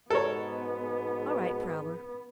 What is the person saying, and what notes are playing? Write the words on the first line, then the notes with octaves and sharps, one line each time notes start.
"All right, Prowler."
G#2 B2 B3 A4 A#4 C#5